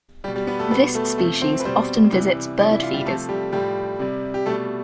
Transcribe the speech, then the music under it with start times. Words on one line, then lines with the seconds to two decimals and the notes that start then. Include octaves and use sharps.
This species often visits bird feeders.
0.24 G3 G4
0.28 B2
0.36 G3 G4
0.47 B3 B4
0.59 A3 A4
0.71 B2 B3 B4
0.74 G3
0.95 A3 A4
1.18 C3 F3 A3 A4
1.41 C4 C5
1.60 B4
1.65 B2 G3 C4 C5
2.12 C3 E3 G3
2.58 C3 E3 G3 D4 D5
2.71 E4
2.83 F4
2.94 G3 G4
3.06 C3 A3 A4
3.10 F3
3.29 G3 G4
3.52 A2 F3 G3 G4
3.99 C3 G3
4.34 G4
4.46 B2 G3 A3 A4